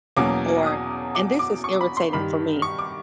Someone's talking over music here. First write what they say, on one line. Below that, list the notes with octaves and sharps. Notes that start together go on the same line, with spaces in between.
or and this is irritating for me,
E2 B2 F#3 A#3 C#4 D6
D#6
D6
D6
C#6
B5
C6
G2 D#3 G3 B5
C#6
D6